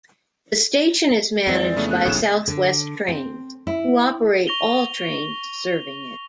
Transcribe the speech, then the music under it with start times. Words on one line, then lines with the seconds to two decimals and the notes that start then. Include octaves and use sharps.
The station is managed by South West Trains, who operate all trains serving it.
1.47 F2 E3 G#3 C4 D5
1.76 C#3 A3 B3
1.90 F#6
2.05 D#1 B1 A2 C#3 E7
2.48 D3
3.08 C4
3.67 E4
4.47 C#6 A#6 F7 G7